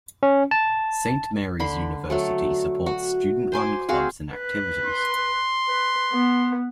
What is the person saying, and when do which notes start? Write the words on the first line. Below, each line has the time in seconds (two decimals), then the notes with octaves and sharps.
Saint Mary's University supports student-run clubs and activities.
0.23 C#4
0.51 A5
1.60 D3 B5 C6
2.10 F#3 A3 A4
2.86 F#4
3.52 C5 G#5 C6 D6
3.89 C4 F#4 G#4 F5
4.33 B4
4.86 C6
5.67 B4
6.13 B3